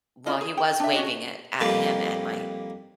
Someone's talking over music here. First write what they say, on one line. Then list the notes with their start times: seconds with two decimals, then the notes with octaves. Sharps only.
well, he was waving it at him and my
0.26 C#4 E4 F4 D#5
0.41 G#4
0.58 G5
0.80 D4 E5
0.94 C#4 F#4 D#5
1.60 F2 G3 A#3 D#4 B4 D6